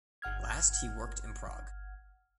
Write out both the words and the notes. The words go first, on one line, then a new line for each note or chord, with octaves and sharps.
Last he worked in Prague.
G1 F#5 F6 G#6